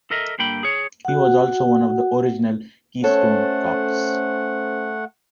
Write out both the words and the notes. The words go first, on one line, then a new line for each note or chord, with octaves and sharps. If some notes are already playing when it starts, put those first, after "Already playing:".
He was also one of the original Keystone Kops.
A4 A#4 D#5 E5
G2 D3 A#3 G5 B5
G#4 C#5
F#4 F#5
A3 C#4 A4 C5 C#5 F#5